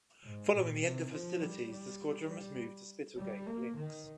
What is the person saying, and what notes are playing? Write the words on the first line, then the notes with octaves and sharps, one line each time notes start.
Following the end of hostilities the squadron was moved to Spitalgate, Lincs.
G#2
A#2
C3
F3
G3
G3
G3
G3
A#3
D#3